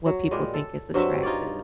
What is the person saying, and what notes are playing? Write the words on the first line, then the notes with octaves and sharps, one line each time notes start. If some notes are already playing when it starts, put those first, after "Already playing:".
what people think is attractive.
F#3
A#2 G3 G#3
A4
G2 F#3 C4 E5
D#4 F4 C#5 D5